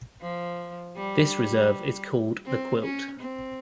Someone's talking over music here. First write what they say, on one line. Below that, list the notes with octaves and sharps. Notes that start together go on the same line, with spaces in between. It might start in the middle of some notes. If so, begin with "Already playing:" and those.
This reserve is called the quilt.
F3
G3
C4
C#4
C4